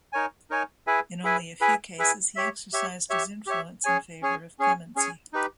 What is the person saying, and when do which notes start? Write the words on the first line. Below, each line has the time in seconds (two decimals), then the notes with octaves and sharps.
In only a few cases he exercised his influence in favour of clemency.
0.13 D#4 A#4 C#5 G#5
0.50 D#4 A#4 C#5 G#5
0.87 E4 G#4 B4 E5 G#5
1.24 E4 G#4 B4 E5 G#5
1.61 E4 G#4 B4 E5 G#5
1.99 E4 G#4 B4 E5 G#5
2.36 G4 C#5 E5
2.73 G4 C#5 E5
3.10 G4 C#5 E5
3.47 G4 C#5 E5
3.84 C#4 G#4 C#5 G#5
4.22 C#4 G#4 C#5 G#5
4.59 C#4 G#4 C#5 G#5
4.96 C#4 G#4 C#5 G#5
5.33 D#4 G4 B4